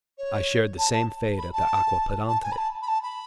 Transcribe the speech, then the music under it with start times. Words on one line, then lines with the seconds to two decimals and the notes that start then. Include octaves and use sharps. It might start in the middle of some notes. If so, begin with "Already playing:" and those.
"I shared the same fate at Aquapendente."
0.17 C#5
0.78 A5
0.92 A5
1.38 B5
1.53 A5
2.27 A5
2.43 G#5
2.51 B5
2.57 A5
2.82 B5
2.88 A5
3.02 B5